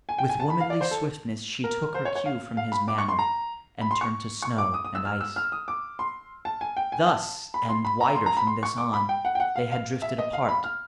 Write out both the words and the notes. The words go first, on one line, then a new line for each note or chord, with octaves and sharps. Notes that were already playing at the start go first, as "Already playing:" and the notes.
With womanly swiftness she took her cue from his manner, and turned to snow and ice. Thus, and wider from this on, they had drifted apart.
G#5
G5
G#5
A5
B5
F5
D5
C5
A4
A#4
C5
C#5
C#5
F5
F5
B5
D6
C#6
C6
A#5
B5
C6
C#6
C#6
D6
D#6
D#6
E6
F6
E6
F6
D#6
D6
C6
A5
G#5
G5
G#5
A5
B5
C6
B5
A#5
C6
A#5
B5
C6
C#6
D6
B5
G5
F#5
G5
F#5
F5
F5
E5
D#5
F5
B5
F6